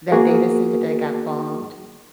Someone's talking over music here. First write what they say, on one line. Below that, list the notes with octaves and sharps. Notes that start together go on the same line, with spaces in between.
That data center that got bombed,
A#3 B3 F#4 G#4 A#4